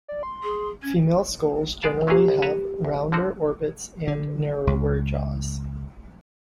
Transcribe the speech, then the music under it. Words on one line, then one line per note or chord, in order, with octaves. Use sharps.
Female skulls generally have rounder orbits, and narrower jaws.
D5
C6
G#4
C#4 G#6
G#3 B3 G#4 D5 F5 A5
A#2 F#3 A#3 C#4 G#4 F5
C2
B4 C#5 E5 A5 A#5
D2
D3 F3 C4 F#4
D3
C#2